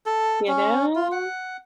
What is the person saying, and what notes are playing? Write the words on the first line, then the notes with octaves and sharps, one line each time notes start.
You know?
A4
C#4
F4
F#5